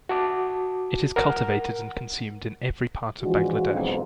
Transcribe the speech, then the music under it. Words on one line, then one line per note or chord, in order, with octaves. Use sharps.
It is cultivated and consumed in every part of Bangladesh.
F#4 A5 D6
A#4 F#5
E3 F3 G#3 D4 F4 F#4
B1 F2 G#2